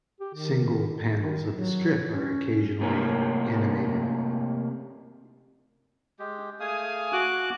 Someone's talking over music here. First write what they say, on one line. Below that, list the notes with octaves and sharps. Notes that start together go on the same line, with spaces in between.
Single panels of the strip are occasionally animated.
G4
D#3
D#3
F#3
C#4
C3 A3 A#3 C4 C#4
G#3 G4
A3 G#4 F5 G#5 D#6
F#4 D6 F#6